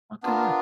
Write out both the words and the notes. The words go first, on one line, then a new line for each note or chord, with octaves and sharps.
Okay, yeah.
B3 D4 F4 A#4